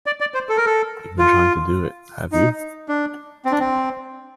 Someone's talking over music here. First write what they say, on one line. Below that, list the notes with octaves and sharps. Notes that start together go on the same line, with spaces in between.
You've been trying to do it, have you?
D5
D5
C5
A4
A#4
A4
F4
D#4
D4
C4
D4
C4